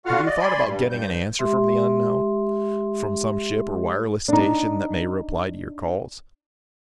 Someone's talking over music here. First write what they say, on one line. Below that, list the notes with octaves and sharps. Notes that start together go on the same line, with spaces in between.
Have you thought about getting an answer from the unknown--from some ship or wireless station, that may reply to your calls?
D3 F4 F#4 F5 F#5 F6
D5 D#5
D5 G#5 B5 C6
G2 G3
G2 G6
G#3 G4 E5 C6
D4 D#4